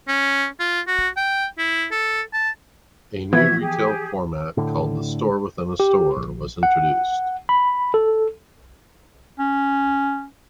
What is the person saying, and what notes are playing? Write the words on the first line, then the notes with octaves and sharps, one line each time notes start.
A new retail format called the "store within a store" was introduced.
C#4
F4
F#4
G5
E4
A4
A5
E3 F3 B3 F#4 E5 G#6
G4 G#4
A2 D3
G4
A#1
F#5
B5
A4
C#4